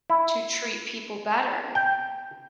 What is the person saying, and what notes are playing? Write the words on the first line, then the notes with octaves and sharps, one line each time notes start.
to treat people better,
E4
G5